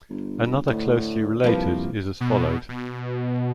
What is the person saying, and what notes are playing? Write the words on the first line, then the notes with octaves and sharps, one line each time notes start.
Another closely related is as followed.
G1
D2 A2
C2 F3 A#3 B4
B2
B2